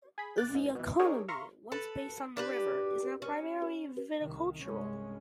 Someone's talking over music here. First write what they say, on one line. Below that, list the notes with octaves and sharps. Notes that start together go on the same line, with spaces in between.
The economy, once based on the river, is now primarily viticultural.
G#4 B5
D6 F#6 A6 D7
G#2
B2 E3
D4 D#4 G4 G#4 A#4 C#5
E5 F5 A#5 C6 C#6 A#6
A4 B4
D4 G4 B4
C#4
C2 D#3
C2 G2 G#3 C#4